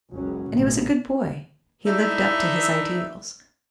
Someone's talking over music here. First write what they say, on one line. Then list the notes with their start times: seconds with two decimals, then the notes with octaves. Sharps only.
And he was a good boy; he lived up to his ideals.
0.12 F#1 C#2 C#3 F#3 C#4
0.52 A1 D2 B2
1.86 D#4 E4 A4 D5 E5